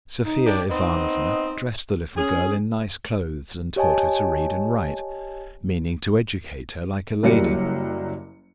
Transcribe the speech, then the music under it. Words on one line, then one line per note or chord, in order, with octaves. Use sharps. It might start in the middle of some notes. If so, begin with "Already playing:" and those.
Sophia Ivanovna dressed the little girl in nice clothes, and taught her to read and write, meaning to educate her like a lady.
D#4
D4 G4
B3 C4 D#4 D#5
C#4 G#4
G4 C#5 D#5 G#5 A5
F#1 F#3 G3 A#3 C#7